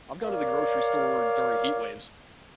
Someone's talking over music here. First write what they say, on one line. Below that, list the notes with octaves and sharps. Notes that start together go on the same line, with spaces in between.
I've gone to the grocery store during heat waves.
A#4 C#5 D5 F5